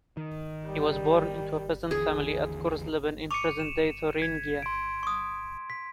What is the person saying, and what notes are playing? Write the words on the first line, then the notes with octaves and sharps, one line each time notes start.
He was born into a peasant family at Gorsleben in present-day Thuringia.
D#3
G3
D#2 D3 E3 G#4
C#6 D6 C#7 D#7 F7
E7
G#6 B6
C6 D7
C#6 D#6
B6